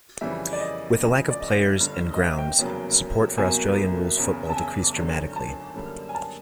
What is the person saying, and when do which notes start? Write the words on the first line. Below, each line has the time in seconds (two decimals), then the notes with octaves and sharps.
With a lack of players, and grounds, support for Australian rules football decreased dramatically.
0.21 F2 C#3 E3 G3 E5
0.53 D5
0.60 D#5
1.00 D2 C#3 F3
1.31 D5
1.40 D#5
1.79 G1 G2 D3
2.15 D#5
2.19 E5
2.38 G5
2.59 F1 E2 C#3 F#3 A#3
3.38 C2 B2 F#3 A#3 G#5
4.17 F#1 E2 C#3
4.50 A5
4.56 G#5
4.96 G#1 F#2 D3
5.36 A5
5.75 F#2 D3 G3 A#3
6.09 G#5
6.15 A5